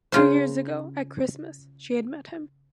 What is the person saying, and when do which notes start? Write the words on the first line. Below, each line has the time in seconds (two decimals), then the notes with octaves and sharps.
Two years ago, at Christmas, she had met him.
0.12 C#3 F4 C5